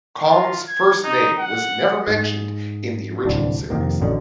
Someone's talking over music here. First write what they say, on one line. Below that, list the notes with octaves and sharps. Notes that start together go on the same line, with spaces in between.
Kong's first name was never mentioned in the original series.
F4
G#6
D#4
F#5
G#2
D1 C2 D4
F2 C3 D#3 A#3
A1 F#2 B2 D3